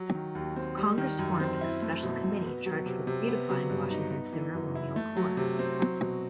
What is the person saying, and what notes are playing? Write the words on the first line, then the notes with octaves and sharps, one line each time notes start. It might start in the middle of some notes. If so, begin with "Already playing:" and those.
Congress formed a special committee charged with beautifying Washington's ceremonial core.
Already playing: F#3
D#3
D#2
C4
G3
D#3
F#2
C4
E4
A3
B2
B2
B3
F#3
C3
C3
B3
F#3
G2
D#4
B3
E3
F#2
E4
A3
F#3
C3
C4
F#3
B2